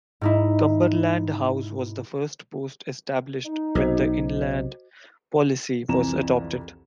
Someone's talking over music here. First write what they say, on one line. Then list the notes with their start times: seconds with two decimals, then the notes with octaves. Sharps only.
Cumberland House was the first post established when the inland policy was adopted.
0.21 G#2 D#4 E4
3.45 D#4
3.75 B1 F#4 C5 D#5
5.89 C2 F2 E3 A#5 E7